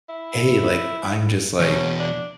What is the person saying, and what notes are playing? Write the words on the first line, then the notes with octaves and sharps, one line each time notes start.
hey. Like, I'm just like,
E4
E2 B2 C#4
D4